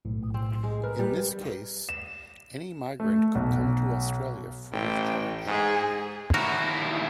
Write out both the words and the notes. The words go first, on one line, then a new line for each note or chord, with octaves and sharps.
In this case, any migrant could come to Australia free of charge.
B1 A2
C4
G#3
A#4 B4
G3
E7
A3
B1
A1 G5
G#2 G#4
D#2 E4 F#4 A#4